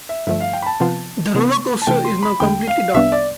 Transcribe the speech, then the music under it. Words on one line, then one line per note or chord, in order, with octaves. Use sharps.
The roller coaster is now completely dark.
E5
G2 D3 F3 A3 E5
F5
G5
B5
A5
C3 F3 B3 F4
C3 E3 B3
A5
C3 E3 A3 C4 G5
C6
B5
E2 D3 A3 G5
F5
C2 C3 G3 B3 D4 E5
D5